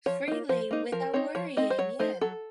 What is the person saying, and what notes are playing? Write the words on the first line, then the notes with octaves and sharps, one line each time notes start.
freely without worrying, yeah.
F3 C#5
A#3 D#4
F3 C5
A#3 D#4
F3 A#4
C4 D#4 C#5
F3 C#5
C4 D#4 D#5
C5
F#3 C#5
A3 D#4 C5
F#3 A4